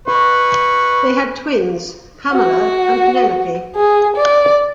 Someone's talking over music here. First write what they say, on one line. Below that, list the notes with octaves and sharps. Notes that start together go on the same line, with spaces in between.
They had twins, Pamela and Penelope.
B4 C#6
F#4
G#4
D5